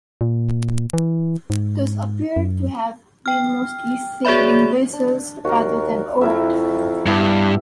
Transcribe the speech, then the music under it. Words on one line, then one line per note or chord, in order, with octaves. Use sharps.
These appear to have been mostly sailing vessels, rather than oared.
A#2
E3
G#2
F#2
G5 F6
F#4 G#4 C#5 D5 E5 B5
D4
D#2 F#4 A#4
F2 E4 A#4 E5
G2 B3 E4 G4